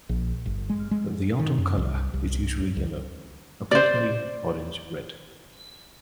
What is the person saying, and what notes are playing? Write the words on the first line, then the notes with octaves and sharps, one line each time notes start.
The autumn colour is usually yellow, occasionally orange-red.
A#1
G1
G#3
G#3
D#3
F#2
C2
C2
F#2
C#2
C5 D5